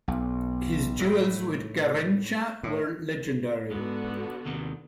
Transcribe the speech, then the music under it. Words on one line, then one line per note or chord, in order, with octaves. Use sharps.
His duels with Garrincha were legendary.
B1
A2
A2
G#2 D3 B3 F#4
D#2 C3 D#3